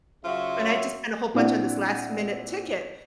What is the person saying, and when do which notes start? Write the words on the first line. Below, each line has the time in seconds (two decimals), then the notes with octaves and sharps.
And I just spent a whole bunch on this last minute ticket.
0.25 C#3 F#3 F4 F#4 C#5 E5
1.34 A#2 C4 D4 E4 D5 F#5